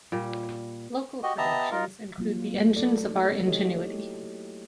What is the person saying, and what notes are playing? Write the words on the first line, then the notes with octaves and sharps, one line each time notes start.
Local productions include "The Engines of Our Ingenuity".
A#2 G3
F#4 G4 D#5
B3 G4 D#5 E5 A5 A#5
D#4 F4 A#4
F#3 A#3 F4
A3 A4 D5
D#4
E4 F#4 G4 A4 C#5 D#5